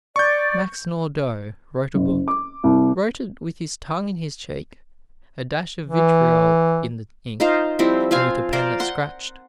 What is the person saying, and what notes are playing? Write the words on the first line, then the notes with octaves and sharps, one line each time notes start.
Max Nordau wrote a book--wrote it with his tongue in his cheek, a dash of vitriol in the ink, and with a pen that scratched.
D5 C#6 G6
F#1
D6
C2
E3
D#4 F4 C5 F5
F3 G3 C4 E4
C4 F4 F5 G#5
A#4 C5 D5 F5
F#5 C6